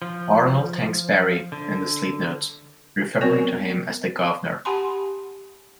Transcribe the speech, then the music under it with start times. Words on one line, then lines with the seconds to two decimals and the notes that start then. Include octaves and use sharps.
Arnold thanks Barry in the sleeve notes, referring to him as "the Guvnor".
0.02 F3
1.52 D3
3.21 F#3 B3 C4 A#4 D5 G#5
4.65 G4 F#5 G#5 A5 B5 C6